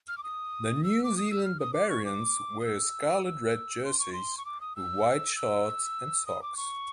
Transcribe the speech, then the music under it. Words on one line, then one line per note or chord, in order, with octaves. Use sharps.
The New Zealand Barbarians wear scarlet red jerseys with white shorts and socks.
F6
D6
D#6
E6
D6
D#6
E6
F6
D#6
D6
C#6
D6
D#6
E6
E6
C6
C#6
C6
C#6
D6
D#6
E6
E6
D#6
D6
C#6